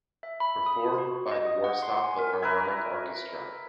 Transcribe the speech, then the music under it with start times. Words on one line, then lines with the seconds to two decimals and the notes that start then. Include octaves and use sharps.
Performed by the Warsaw Philharmonic Orchestra.
0.23 E5
0.40 B5
0.66 D#6
0.98 F#4
1.31 D#5
1.46 D#6
1.64 F#5
1.82 C6
2.04 G#5
2.19 A#4
2.42 A#4 B4 E5 G#5